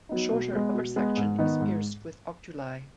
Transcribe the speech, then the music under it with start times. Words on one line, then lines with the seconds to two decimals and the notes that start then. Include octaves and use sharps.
The shorter upper section is pierced with oculi.
0.09 F#3 B3 D#4
0.31 B2
0.53 G#3 B3
0.74 B2
0.96 G#3 B3
1.17 G#2
1.38 D#3 B3 D#4
1.61 G#2